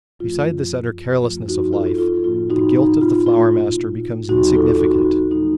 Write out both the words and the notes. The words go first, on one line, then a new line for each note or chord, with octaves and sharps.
Beside this utter carelessness of life, the guilt of the Flower-Master becomes insignificant.
F#2 F3 A3 F4
F#2 F3 A3 F4
D#4 F#4
F4 A4
F4 A4
A2 F3 A#3 F4
D#4 F#4
D#4
F4
A#2 A3 F4
D#2 C#3 F#3 D#4 F#4
F4 A4
D#4 F#4
A#2 F3 A3 D#4